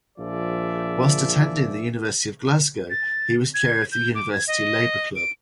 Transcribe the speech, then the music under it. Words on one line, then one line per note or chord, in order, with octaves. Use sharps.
Whilst attending the University of Glasgow he was Chair of the University Labour Club.
A#1 F3 G#4 D5 E5
A6
G#6
G6
D6
G#6
D#5
D7